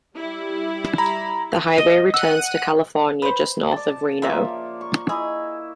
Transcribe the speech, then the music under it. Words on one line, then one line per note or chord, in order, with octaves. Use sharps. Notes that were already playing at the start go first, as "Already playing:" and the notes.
The highway returns to California just north of Reno.
G3 E4
A#5 B5
D#5
F#5 E6 F#6 D#7
B4 C5
D5 A5
C#3 F3 A#3 E5
C#6
E4 G#4 D#5